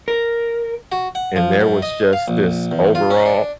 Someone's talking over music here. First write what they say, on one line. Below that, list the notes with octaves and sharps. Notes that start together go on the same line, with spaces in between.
and there was just this overall,
A#4
F#4
F#5
F3
F#2
D#5
F5
A#1
E2
F4
C#4
D4